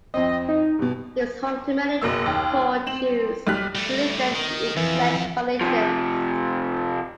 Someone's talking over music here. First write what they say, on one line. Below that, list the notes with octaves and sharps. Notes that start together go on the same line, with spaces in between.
It was home to many poor Jews who lived there in wretched conditions.
F2 C4 D#5
D#4
G2 B2
F#1 B2 A#3 E6
D#2
C4 E7 F#7
B1 G3 G4 F6 F#6 B6
G3 A3
D#3
F2 E3
C3 F3